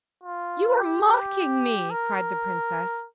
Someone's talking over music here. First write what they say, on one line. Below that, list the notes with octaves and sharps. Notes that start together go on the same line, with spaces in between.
"You are mocking me!" cried the princess.
F4
G4
A#4